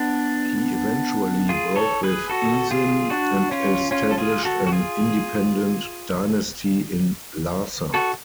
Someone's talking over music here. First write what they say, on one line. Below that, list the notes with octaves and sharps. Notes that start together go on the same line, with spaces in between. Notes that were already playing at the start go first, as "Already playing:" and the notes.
He eventually broke with Isin and established an independent dynasty in Larsa.
Already playing: B3 D4
F4 G#4
A4 C#5
G#4 B4
F#4 A4
F4 G#4
D4 F#4
C#4 F4
C#4 F4
A4
F4 G#4
F#4 A4
F#4
F4 G#4
F#4 A4